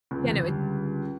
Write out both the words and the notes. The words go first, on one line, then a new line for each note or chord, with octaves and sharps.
yeah, no, it
C#2
E2 C3
D3 G3